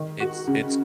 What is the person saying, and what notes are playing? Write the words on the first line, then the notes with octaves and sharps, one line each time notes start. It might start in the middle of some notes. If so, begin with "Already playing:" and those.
It's it's
Already playing: D#3
F#4
C#3